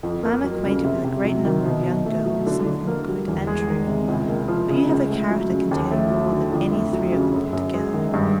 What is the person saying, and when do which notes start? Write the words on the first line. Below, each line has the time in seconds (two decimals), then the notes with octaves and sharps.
I am acquainted with a great number of young girls, some of them good and true, but you have a character containing more than any three of them put together.
0.03 F2
0.23 A#3
0.44 F#3
0.64 C#3
0.85 C3
1.04 C3
1.25 F#3
1.45 D#3
1.65 B2
1.85 B2
2.06 A3
2.26 F#3
2.47 D3
2.66 D3
2.87 A#3
3.08 G3
3.27 E2
3.47 G#3
3.68 D#3
3.88 C3
4.08 C#2
4.29 A#3
4.48 F3
4.70 C#3
4.89 C#2
5.10 A3
5.31 F#3
5.50 C#3
5.71 D#2
5.91 A3
6.11 F#3
6.32 D3
6.52 F2
6.72 A3
6.93 F#3
7.12 C#3
7.33 F#2
7.53 F#2
7.74 G#3
7.93 D#3
8.14 G2